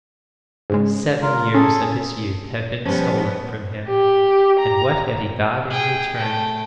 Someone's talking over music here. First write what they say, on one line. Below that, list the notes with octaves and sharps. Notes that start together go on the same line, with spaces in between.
Seven years of his youth had been stolen from him, and what had he got in return?
G#2 C#3 G#3
F4 A#4
C#4 G#4 A4
F3 G3 B3 C#4
G4
A#5
G#4 G5
A3 G5